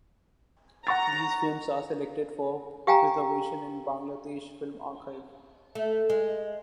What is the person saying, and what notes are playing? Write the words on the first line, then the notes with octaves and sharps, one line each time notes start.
These films are selected for preservation in Bangladesh Film Archive.
F#5 A#5 C#6 A6
G4 F5 G5 G#5 A#5
A3
G#3